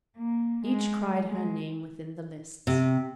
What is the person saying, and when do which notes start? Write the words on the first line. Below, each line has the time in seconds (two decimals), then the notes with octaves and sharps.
Each cried her name within the lists.
0.17 A#3
0.65 G#3
1.28 G#3
2.67 C3